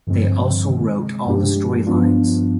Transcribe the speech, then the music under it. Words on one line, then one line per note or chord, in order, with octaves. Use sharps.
They also wrote all the storylines.
G2 D3 F3 G#3 C4
C3 D#3 G#3
G2 F3 G#3 D4 G4
G2 F3 B3 D4 F4